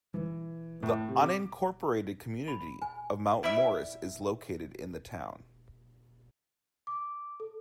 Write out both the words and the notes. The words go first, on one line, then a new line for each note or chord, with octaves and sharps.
The unincorporated community of Mount Morris is located in the town.
E3
A2
C3
D6
B5
G#5
G3 E4 D5 E5
D6
A4